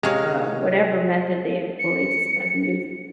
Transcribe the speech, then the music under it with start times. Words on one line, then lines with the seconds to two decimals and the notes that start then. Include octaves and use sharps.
uh, whatever method they employ to spread the news.
0.03 C3 G#3 G4 C#5 F5 A#5
1.79 C#7